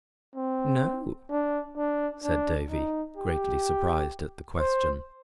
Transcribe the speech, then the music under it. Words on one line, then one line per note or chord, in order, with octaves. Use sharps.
"No," said Davy, greatly surprised at the question.
C4
D4
D4
D4
D#4
G4
C5